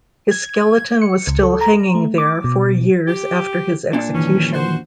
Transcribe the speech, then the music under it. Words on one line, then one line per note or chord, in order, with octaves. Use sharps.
His skeleton was still hanging there four years after his execution.
G#6
C#7
C#2
A4
A#5
A3
D6
B2
G4
A#2 D4
G2 D#3 E3 C#4
F#4 C5